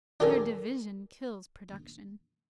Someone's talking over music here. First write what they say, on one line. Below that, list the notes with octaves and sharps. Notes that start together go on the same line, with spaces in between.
Their division kills production.
D4 G4 A4 A#4 G#5 A#5